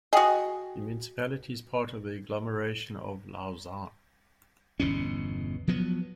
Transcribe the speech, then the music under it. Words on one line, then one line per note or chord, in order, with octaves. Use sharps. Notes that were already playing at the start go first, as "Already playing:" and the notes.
The municipality is part of the agglomeration of Lausanne.
F#4 G#4 D#5 G5 D#6
G1 E2 B2 C#4
F3 F#3 B3